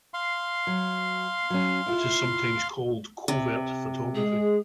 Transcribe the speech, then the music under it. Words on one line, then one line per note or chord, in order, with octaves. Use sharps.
It is sometimes called covert photography.
F5 C6
F#3
F#3 C#4
E4 F4
C3
G#3 G#4